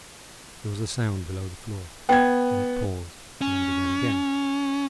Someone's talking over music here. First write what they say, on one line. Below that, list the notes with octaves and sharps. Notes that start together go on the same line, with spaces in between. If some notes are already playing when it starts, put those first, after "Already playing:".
There was a sound below the floor; then it paused, and then began again.
B3 G5 G#6
C#4